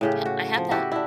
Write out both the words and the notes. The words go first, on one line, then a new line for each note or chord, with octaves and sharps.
Yep, I have that.
A2 C#3 G4
F#4
F3
E4 F#4 G4
D4 E4